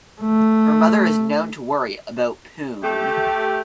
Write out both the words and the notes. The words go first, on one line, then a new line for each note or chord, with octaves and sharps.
Her mother is known to worry about Poon.
A3
A3 G4